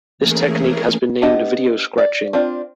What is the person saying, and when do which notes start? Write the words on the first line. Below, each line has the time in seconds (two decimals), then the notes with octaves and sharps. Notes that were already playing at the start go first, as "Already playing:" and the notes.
This technique has been named video scratching.
0.18 E3 A3 A#3 C#4 G#4 A#4
1.22 B3 D4 G4 D#5 F#5
1.98 D5
2.33 C4 D4 F4 D5